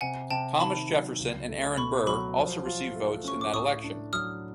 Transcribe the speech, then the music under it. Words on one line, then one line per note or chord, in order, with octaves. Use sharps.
Thomas Jefferson and Aaron Burr also received votes in that election.
C3 F#5 G#5
C3 G5 A5
D#3 A5 B5
F#3
C#2
A3
B2 B5 C#6
F#3 B5 C#6
F3
F4
A3
C#4 C#6
D6
A2 C#6 D#6
D4
F#3 D#6 F6